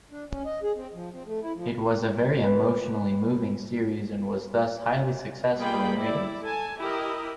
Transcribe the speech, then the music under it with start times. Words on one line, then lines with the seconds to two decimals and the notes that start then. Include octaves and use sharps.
It was a very emotionally moving series and was thus highly successful in ratings.
0.11 D4
0.29 C#4
0.45 D#5
0.63 G#4
0.76 C4
0.94 F3
1.12 C4
1.26 A3
1.42 E4
1.54 F3
2.44 B4
5.57 G3 A#3 F4 G#4 G5 B5
5.95 E4 D5
6.43 A4 G#5 A5
6.79 E4 G4 A#4 D#5